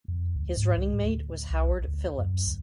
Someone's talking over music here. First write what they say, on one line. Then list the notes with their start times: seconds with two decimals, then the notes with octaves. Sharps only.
His running-mate was Howard Phillips.
0.08 F2
0.36 D2
0.57 G#2
0.77 C#2
0.93 A2
1.05 D2
1.50 C2
1.68 A#1
1.88 D2
2.18 F#2
2.47 D2